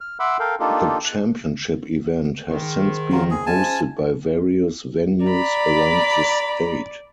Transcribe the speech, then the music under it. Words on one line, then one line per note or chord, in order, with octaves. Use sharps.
The championship event has since been hosted by various venues around the state.
F6
E5 F#5 B5 C6 D6 E6
A4 A#4 F5 G5
A#3 D4 D#4 F4 G4 A4
F#6
G#2 D#3
F#3 F4
G#4
F3 G#3 C#4 G#5 A5
D5 A#5 B5